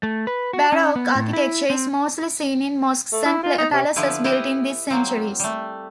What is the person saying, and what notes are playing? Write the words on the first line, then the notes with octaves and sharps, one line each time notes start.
Baroque architecture is mostly seen in mosques and palaces built in this centuries.
A3
B4
F#4
C#4
B3
A2
E4
C4
A3
E4
F4
D#4
C3
D3 F3 E4 G4 B4
E4 G4 B4 D#5
F#3 A#3 C4
G3 A3